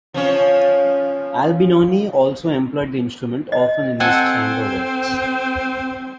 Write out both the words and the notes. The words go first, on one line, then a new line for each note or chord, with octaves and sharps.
Albinoni also employed the instrument often in his chamber works.
F3 C#4 C#5
D#5
C4 A4 F#5 G#5